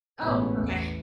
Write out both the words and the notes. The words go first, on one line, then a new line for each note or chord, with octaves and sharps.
Oh, okay.
A1 G#2 B2 B3 C#4
E2